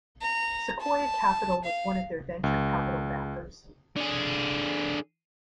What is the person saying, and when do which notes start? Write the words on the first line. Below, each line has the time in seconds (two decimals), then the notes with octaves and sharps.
Sequoia Capital was one of their venture capital backers.
0.22 A#5
0.81 A5
1.65 F5
2.44 C#2
3.97 D3 G#4